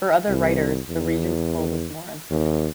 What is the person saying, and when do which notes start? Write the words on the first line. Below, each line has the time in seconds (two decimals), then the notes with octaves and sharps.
For other writers, the region's pull was more uncertain.
0.29 C2
0.89 E2
2.31 D#2